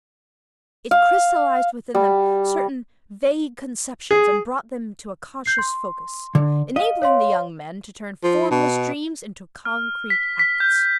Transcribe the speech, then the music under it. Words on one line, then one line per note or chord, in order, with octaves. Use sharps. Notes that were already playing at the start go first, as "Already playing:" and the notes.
It crystallized within them certain vague conceptions and brought them to a conscious focus, enabling the young men to turn formless dreams into concrete acts.
F5
G3
G#4
G6 C7
C6
D3
D#5 F5
C#5 F5 C6
F3
B2
F6
B6
B6
G6